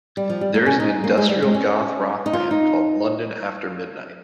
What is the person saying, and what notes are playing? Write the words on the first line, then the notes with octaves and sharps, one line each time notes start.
There is an industrial-goth-rock band called London After Midnight.
G3
F3
G3
A#3
C#4
D#4
A#3
G#3
G3
G#3
C#4
D#4
F4
D#4